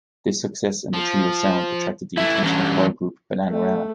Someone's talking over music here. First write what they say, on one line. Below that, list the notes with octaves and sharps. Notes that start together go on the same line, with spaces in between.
This success and the trio's sound attracted the attention of girl group Bananarama.
F3
E3 A3 E4 E5
G2 E3 F#3 C#4
A3